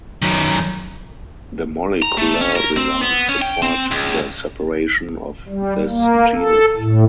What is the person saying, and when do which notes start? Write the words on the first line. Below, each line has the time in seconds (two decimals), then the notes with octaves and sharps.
The molecular results support the separation of this genus.
0.22 F#2 D#3
2.02 A#5
2.17 A3
2.41 C#4
2.56 A#4
2.77 C4
3.01 B3
3.29 C#4
3.42 G5
3.62 C4
3.91 C#2
5.48 G3
5.88 A#3
6.36 A4
6.77 A2